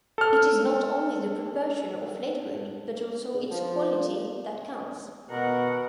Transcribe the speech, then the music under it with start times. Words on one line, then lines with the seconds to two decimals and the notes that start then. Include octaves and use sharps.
It is not only the proportion of latewood, but also its quality, that counts.
0.18 A4 F6
3.50 F3
5.30 B2 A#4 F#5